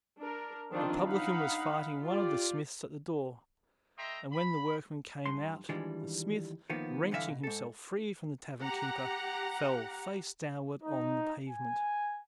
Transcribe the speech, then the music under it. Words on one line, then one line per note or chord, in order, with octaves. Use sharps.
The publican was fighting one of the smiths at the door, and when the workmen came out the smith, wrenching himself free from the tavern keeper, fell face downward on the pavement.
D4 A#4
D#3 F3 C4 D4 D#4 F4
D#4 F5 F#5 B5
F4 G4 D5
A3 D#5 E5 G5 A#5 C6
B5
G2 C6
D#3 E3 G3 G#3 D4 F4
D#3 F3 A#3 B3
G2 D3 E3 D#4 E5 F5
B2
G#2 A4
G4 F#5 A#5
D#4
G#5